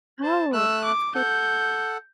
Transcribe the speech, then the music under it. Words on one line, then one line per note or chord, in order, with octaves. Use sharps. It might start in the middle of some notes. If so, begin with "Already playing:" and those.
Oh, that's cool.
C5 A5
A3 E6 F#6
D6
A4 F#5 G6